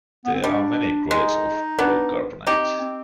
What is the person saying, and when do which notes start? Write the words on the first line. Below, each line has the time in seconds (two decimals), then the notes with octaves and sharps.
There are many grades of polycarbonate.
0.25 B3
0.34 C4
0.43 G3 D4
1.11 G#3 D#4
1.79 B3 D4
2.47 C4 D#4 G4
2.81 C4